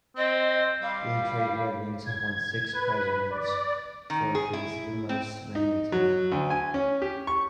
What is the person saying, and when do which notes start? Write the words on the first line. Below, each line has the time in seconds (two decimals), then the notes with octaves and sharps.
The Detroit Red Wings have won six Presidents' Trophies, the most of any team.
0.17 C4 D#5
0.83 G3 F5
2.06 G#6
2.73 B4
3.30 D5
4.10 D#3
4.35 G#4
4.53 E4
5.09 C4
5.55 D#4
5.92 F#3
6.32 D2
6.50 G#5
6.74 C#4
7.02 G4
7.27 C#6